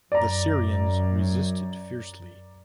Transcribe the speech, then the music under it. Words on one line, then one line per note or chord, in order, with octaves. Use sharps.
The Syrians resisted fiercely.
F#2 D5 A#5